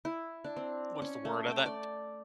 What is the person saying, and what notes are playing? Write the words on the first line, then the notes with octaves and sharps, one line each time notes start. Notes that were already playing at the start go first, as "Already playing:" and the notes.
What's the word uh, that
E4
D4
C4
C#4
A3
G5
D5